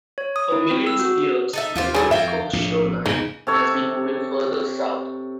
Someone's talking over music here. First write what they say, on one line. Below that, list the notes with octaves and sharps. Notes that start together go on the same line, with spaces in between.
For millions of years, the Gulf Coast shoreline has been moving farther south.
C#5
D#6
E4
C4
E6
F#4
D#4 A4 E5
D#2 F4 G4 C5
F#3 G3 E4 G#4 A4
F2 E5 F5 G5
A#1 A2
E2 G#2 C#3 D#4
C3 A4 C#5